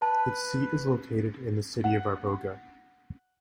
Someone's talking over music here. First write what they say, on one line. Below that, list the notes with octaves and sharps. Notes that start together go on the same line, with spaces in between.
Its seat is located in the city of Arboga.
B4 A5
F#5